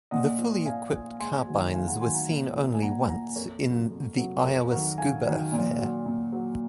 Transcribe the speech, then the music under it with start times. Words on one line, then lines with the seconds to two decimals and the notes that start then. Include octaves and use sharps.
The fully equipped carbines were seen only once, in "The Iowa Scuba Affair".
0.11 A#2 D#5 F#5
0.38 F3
0.65 A#2 F5 G#5
0.93 F3
1.20 G#2 G#5 C6
1.47 D#3 F#3
1.74 G#2 F5 G#5
1.87 F#5 A#5
2.01 F#3 G#5 C6
2.05 D#3
2.14 F#5 A#5
2.28 A#2
2.55 F3
2.74 G#5
2.82 A#2 F#5 A#5
3.08 F3 F#5 A#5
3.36 F2 A#4 C#5
3.63 C3 F#3
3.90 F2
4.16 C3 F#3
4.43 F2 A#4 C#5
4.71 D#3 F#3 F#4 A#4
4.98 F2 F5 G#5
5.25 D#3 F#3
5.52 A#2
5.78 F#3
6.06 A#2
6.32 F#3